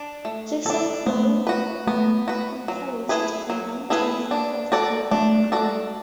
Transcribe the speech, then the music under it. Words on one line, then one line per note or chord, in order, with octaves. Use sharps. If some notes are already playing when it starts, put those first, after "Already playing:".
Jacksonville guitarist and longtime friend of Bobby Ingram.
Already playing: D4
A3
D4 A4
A3 B3
F#4 B4
A3 B3
F#4 B4
F#3
A3 E4 G#4 B4
F#3
A3 E4 G#4 B4
D4
F#4 A4 D5
A3 D4
F#4 A4 D5